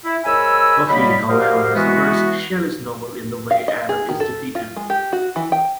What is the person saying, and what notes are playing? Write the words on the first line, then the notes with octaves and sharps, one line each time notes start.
"Buffy", however, subverts Shelley's novel in the way Adam is defeated.
E4
G#2 A#4 C#5 G#5 B5 E6
F#3 G3 A#3 D#5 B5
F#4 G4 A#4 C5 D#5 F5
E3 G#3 B3 F#4
F5
D#5
G#4
D#3
A4
F4
G#3
G4
F#4
E3
G5